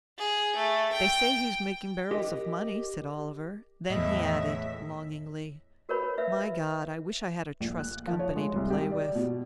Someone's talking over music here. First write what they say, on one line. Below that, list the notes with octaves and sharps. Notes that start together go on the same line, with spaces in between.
"They say he's making barrels of money," said Oliver; then he added, longingly, "My God, I wish I had a trust company to play with!"
G#4
A3
G5
G4 A#4 D#5
E2 A2 D#5 E5
F#4 A#4 B4 C#5 B5
B4 E5 F5
A#1
F#6
F3
C#5
G#3
C2
G4
D5
B2